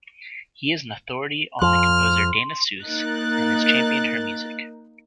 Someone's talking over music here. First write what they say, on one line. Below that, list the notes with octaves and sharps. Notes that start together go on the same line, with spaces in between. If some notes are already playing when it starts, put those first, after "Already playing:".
He is an authority on the composer Dana Suesse and has championed her music.
F2 F3 C6 F6
A#3 D#4 A#4 F#6 A6